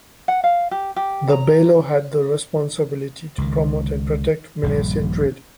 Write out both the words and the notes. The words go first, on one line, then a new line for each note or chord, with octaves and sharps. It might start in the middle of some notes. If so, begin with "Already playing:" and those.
The "bailo" had the responsibility to promote and protect Venetian trade.
F#5
F5
G4
G4
A#5
C#2 D#3
D#1 A#1 G2 G3